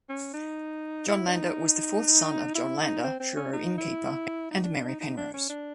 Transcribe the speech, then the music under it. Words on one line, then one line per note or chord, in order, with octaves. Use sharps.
John Lander was the fourth son of John Lander, Truro innkeeper and Mary Penrose.
C#4
D#4
E4
D4
D#4
E4
D#4
C4
C4
C#4
D#4
E4
D#4
D4
D4
D#4
D#4
D4
C#4
D4